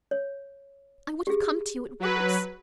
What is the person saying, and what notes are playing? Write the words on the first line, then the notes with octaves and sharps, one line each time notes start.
I would have come to you at once.
C#5
G4 G#4
F#3 B4